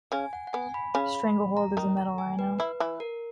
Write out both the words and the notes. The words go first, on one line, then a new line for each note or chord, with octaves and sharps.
Stranglehold is a metal rhino.
C#3 C#4 G#5
F#5
F#5
B3 G#5
B5
C#3 C#4 B5
B5
A#5
D#3 D#4
A#5
G#5
B4
E4 B4
E3 E4
A#4